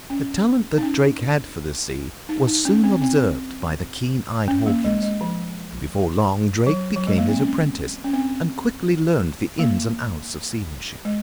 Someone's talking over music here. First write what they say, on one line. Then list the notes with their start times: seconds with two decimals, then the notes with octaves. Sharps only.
The talent that Drake had for the sea was soon observed by the keen-eyed Hawkins, and before long Drake became his apprentice, and quickly learned the ins and outs of seamanship.
0.10 C#4
0.78 D#4
0.83 C#4
2.29 D#4
2.47 D#4
2.65 C#4
2.84 C4
3.02 C4
4.48 C#4
4.66 A#3
4.84 G#3
5.02 G#3
5.21 F3
6.67 F#3
6.96 F#3
7.07 G#3
7.18 A#3
7.29 C4
7.40 C#4
8.04 C#4
8.13 C4
9.59 A#3
11.05 G#3